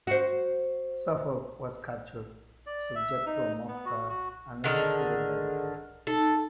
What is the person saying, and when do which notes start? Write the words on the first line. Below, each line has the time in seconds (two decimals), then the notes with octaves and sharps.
Suffolk was captured, subjected to a mock trial, and executed by beheading.
0.07 F#4 C5
2.66 D5
2.95 E5
3.26 D#4
3.69 B3
3.86 F#4
4.09 F#4
4.64 D3 D#3 G#4 A#4
6.07 D#4 A4